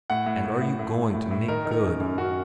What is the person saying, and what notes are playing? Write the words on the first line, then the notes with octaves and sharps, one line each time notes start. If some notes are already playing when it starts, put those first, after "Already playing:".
And are you going to make good?
A2 F#5
A2
A2
A2
A2
A2
A2
A2
D#3 A#4
D#3
A#4
F#2
F#2
F#2 F#4